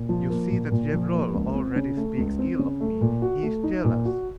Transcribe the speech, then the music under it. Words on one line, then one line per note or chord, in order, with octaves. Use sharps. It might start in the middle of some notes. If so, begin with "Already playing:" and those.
"You see that Gevrol already speaks ill of me; he is jealous."
Already playing: A#2
F3
A#3
A#2
A#2
F3
A#3
C#2
C4
C#3
A3
C#2
C4
C#3
A3
A#2
F#4
A3
D#4
A#2
F#4